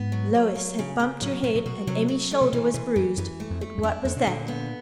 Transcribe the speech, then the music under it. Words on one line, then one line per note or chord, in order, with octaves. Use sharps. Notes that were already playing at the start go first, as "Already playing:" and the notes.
Lois had bumped her head, and Emmy's shoulder was bruised; but what was that?
Already playing: G#2 B3
F#3
F#3
F#3
C#3
C#3
A2 F#3
A#2 F#3
A#2
B2 F#4
C3 F#3
F#3
A3
C3
B2 E3
B2 E3
F#2 E3
F#2 E3
A3
F2
A3
F#2
F2 D4
F2 D3
B2
A#2 D3
B3